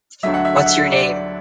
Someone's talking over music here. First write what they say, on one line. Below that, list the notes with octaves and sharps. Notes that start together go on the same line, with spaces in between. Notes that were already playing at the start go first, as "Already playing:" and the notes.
What's Your Name?
D2 D3 F#3 E5
F#5
E5
F#5
E5
D5